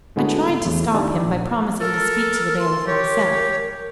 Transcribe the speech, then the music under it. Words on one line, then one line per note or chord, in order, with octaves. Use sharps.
I tried to stop him by promising to speak to the bailiff myself.
A2 D3 G#3 B3 D4 F#4
E2 A2
D#3 D4 E4 G4 D5
A#1
A4 A#4
A#4 C6
G4 C#5